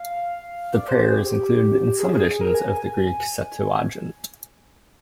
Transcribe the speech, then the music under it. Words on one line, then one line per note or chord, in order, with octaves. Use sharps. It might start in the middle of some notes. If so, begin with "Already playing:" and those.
The prayer is included in some editions of the Greek Septuagint.
Already playing: F5
D5
C5
G#4
G4
G#4
A#4
G#5
G#5